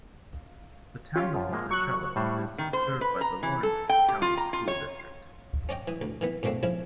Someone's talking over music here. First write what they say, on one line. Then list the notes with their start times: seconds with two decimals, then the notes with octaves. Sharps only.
The Town of Monticello is served by the Lawrence County School District.
1.16 C#4 F4 G4
1.34 F#2 F3
1.53 F3 G#3 A#3
1.71 F#3 C#6 F#6
2.16 A2 G3 C5
2.58 D#3
2.73 C5
3.01 B4
3.21 A#5
3.43 E3
3.63 A4
3.89 G5
4.08 G4
4.22 F4
4.38 A#5
4.53 F4
4.68 C#5
5.69 C#4 D5 D#5 G5
5.88 E3 D#6
6.01 D2
6.21 D#3 E3 B3
6.43 G#2 B2 A3 A#3 C4 D4
6.63 C#3 F3 E4